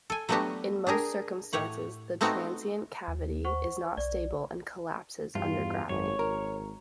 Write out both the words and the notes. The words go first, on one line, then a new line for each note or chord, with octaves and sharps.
In most circumstances, the transient cavity is not stable and collapses under gravity.
A4 G#5
F#3 A3 B3 D4 F#4 G4
D4 G4 G#4 A#4
A2 G4 C#5 F#5
A3 B3 C4 D#4 F#4
D#2
C5 F#5 C#6
B1 D5
E2 G2 F4
G#1 F#2 C#5
G#1 A#4